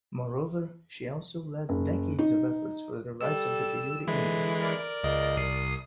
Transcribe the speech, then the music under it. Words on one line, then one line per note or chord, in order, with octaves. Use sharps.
Moreover, she also led decades of efforts for the rights of the Paiute Indians.
F#1
D#4
G3 A4 E6
D3 E3 G#3 E4
A#4 D5
C#2 D#5
C2 D#6 C7